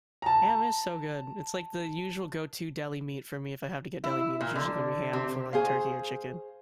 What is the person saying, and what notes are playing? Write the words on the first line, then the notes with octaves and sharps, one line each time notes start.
Ham is so good, it's like, the usual go-to deli meat for me if I have to get deli meat, it's usually gonna be ham before, like, turkey or chicken.
A5 A#5
E4
A#2
D3
C3
G#4 C5 F5